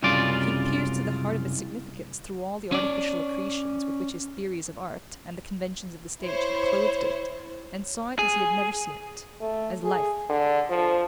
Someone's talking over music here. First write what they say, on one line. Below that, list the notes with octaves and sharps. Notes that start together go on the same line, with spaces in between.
He pierced to the heart of its significance through all the artificial accretions with which his theories of art and the conventions of the stage had clothed it, and saw it as he had never seen it: as life.
C2 F#2 C#3 G#3 F4 D5
C#4 D5
E4 C5 C#5
G#4
A3
G#4
D3
F3